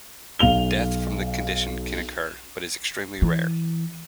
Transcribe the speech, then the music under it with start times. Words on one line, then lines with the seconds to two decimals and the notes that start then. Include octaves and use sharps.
Death from the condition can occur, but is extremely rare.
0.39 B1 F5 F7 G7
3.22 E3